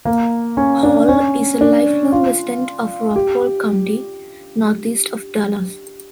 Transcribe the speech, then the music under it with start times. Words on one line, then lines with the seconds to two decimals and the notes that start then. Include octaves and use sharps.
Hall is a lifelong resident of Rockwall County, northeast of Dallas.
0.05 A#3
0.57 C#4
0.83 D4
1.09 C#4
1.61 D4
2.12 F4
3.16 G4